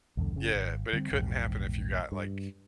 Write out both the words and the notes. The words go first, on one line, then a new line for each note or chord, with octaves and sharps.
Yeah, but it couldn't happen if you got, like,
B1 E2 G2 D3
F#1 C#3
G#1
D3 G3 G#3 C4
A#1 E2 G#2
G2